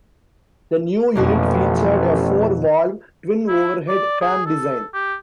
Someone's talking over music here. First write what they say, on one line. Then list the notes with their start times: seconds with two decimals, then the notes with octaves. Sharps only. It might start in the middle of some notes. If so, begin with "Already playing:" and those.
The new unit featured a four-valve, twin overhead cam design.
1.15 A1 F2 B2 A#3
3.48 E4
3.88 D5
4.21 G#4
4.46 A4
4.94 G4